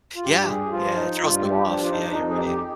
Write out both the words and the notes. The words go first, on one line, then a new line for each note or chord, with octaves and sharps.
Yeah, yeah. It throws them off. Yeah, you're right.
F4
G2 G4
G#4
F3 F4
D#4
G2 F4
F4
G4
F3 D4
F4
D#4
D4
F2 D#4
G#4
G4